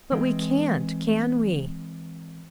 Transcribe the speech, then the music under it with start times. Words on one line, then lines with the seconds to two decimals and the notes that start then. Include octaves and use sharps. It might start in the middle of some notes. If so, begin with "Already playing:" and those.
"But we can't,--can we?"
0.12 E3 G#3 C4